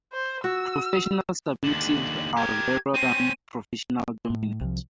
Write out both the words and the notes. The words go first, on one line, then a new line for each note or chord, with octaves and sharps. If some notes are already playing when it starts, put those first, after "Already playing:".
Professional submissives are rarer than professional dominants.
C5
F#4 E6
D#2 D3 F#7
G4 A#4 G#6
C4 C#4 D#7
A2
C2 F3